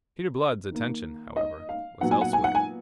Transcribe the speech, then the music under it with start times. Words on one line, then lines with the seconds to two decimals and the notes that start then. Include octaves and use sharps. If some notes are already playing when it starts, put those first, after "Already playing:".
Peter Blood's attention, however, was elsewhere.
0.71 D#3 A#3
1.37 D#5
1.69 F5
2.01 A#2 F#3 B3 F#5
2.11 G#5
2.21 F#5
2.33 G#5
2.44 F#5
2.55 G#5